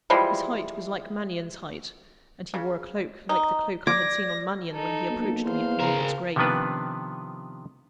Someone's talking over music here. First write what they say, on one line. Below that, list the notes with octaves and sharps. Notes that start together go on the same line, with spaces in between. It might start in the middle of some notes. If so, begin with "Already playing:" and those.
His height was like Mannion's height; and he wore a cloak like the cloak I had seen on Mannion, when he approached me at Margaret's grave.
E3 F3 G3 G#3
C#3
D#4
D5 D6 G#6 A#6
D#4 A4
B1 A#3
E2 C5 F5
C#3 G#4 A#4
C3 D#3 F3 B3 D4 B4